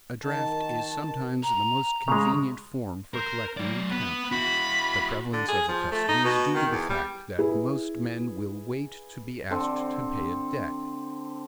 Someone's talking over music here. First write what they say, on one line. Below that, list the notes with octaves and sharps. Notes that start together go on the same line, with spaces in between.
A draft is sometimes the most convenient form for collecting an account. The prevalence of the custom is due to the fact that most men will wait to be asked to pay a debt.
D#3 A5
A#5
C#3 G#3
A#4 C5
F#3 A#3 D5
B3 B4
E4 F#4 B5
D3
G#4
F3
A3
D#4
B2
D#3
E2
G3
E4 G#4 B4
D3 C4